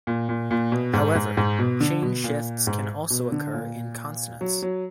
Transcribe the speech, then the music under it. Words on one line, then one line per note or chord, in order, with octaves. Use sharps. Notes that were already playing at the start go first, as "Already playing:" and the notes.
However, chain shifts can also occur in consonants.
A#2
A#2
A#2
B2
G#2
G#2
G#2
B2
D3
B2
A#2
G#2
B2
D3
A#2
F#3
F#3